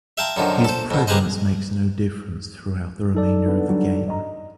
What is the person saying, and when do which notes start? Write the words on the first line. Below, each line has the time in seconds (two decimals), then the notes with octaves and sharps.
His presence makes no difference throughout the remainder of the game.
0.17 E5 F5 G5 A5 A#5 C6
0.36 F#2 D3 D#3 F3
0.64 A4 C5
0.91 F2 B2
1.08 A#3 G4 G#4 B4 C5 D#5
3.15 D#4 A4 D5
3.45 G2 D3 B3
3.68 D3 F#3 G3
4.08 D#5 A#5